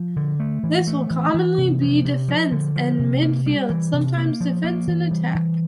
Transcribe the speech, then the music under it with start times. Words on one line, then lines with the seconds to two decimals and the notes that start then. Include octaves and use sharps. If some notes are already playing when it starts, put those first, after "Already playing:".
This will commonly be defence and midfield, sometimes defence and attack.
Already playing: F3
0.16 D3
0.40 A3
0.63 E3
0.87 A3
1.11 E3
1.34 E3
1.58 C3
1.81 F3
2.05 C3
2.28 F3
2.52 D3
2.76 F3
2.99 C3
3.23 A#3
3.46 G3
3.70 E3
3.93 C3
4.17 A#3
4.40 F3
4.64 A#3
4.87 E3
5.11 G3
5.35 E3